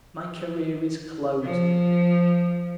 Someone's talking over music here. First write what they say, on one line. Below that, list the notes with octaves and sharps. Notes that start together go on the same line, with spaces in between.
My career is closed.
F3